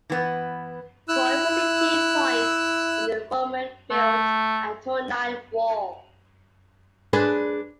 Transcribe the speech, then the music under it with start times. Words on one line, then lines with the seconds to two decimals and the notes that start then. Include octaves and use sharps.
Croy was a key point in the Roman built Antonine Wall.
0.10 E3 B3
1.08 E4 E6 F#6
3.91 A3
7.13 D4 G#4 B4